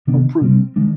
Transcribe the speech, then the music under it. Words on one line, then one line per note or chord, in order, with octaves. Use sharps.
or prudent.
C3 D#3 B3 D4
C3 G3 C4
D#3 G#3 D4